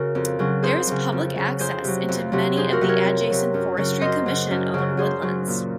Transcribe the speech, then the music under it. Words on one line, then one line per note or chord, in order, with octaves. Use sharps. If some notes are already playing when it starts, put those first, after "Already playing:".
There is public access into many of the adjacent Forestry Commission owned woodlands.
Already playing: C#3 F#4 A#4
F2
C#3 F#3
F2 G#4 C5
C#3 F#3
F2
C#3 F#3
F2 G#4 C5
C3 F#3
F2
C3 F#3
F2 G#4 C5
F#4 A#4
C3 F#3
A#4 C#5
F2
C3 F#3
F#2
C#3 F#3
F#2 C5 D#5
C#3 F#3
F#2
C#3 F#3
F#2 G#4 C5
C#3 F#3
A#2